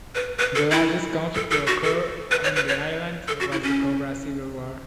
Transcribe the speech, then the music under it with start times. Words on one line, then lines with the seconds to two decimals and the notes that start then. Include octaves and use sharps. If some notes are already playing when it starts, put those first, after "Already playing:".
The largest conflict to occur on the island was the Cobra Civil War.
0.15 B4
0.39 B4
0.55 A4
0.72 E4
1.35 A4
1.51 A4
1.67 F#4
1.84 A4
2.31 B4
2.44 C#5
2.56 B4
2.68 C#5
3.28 A4
3.40 F#4
3.52 E4
3.63 C#4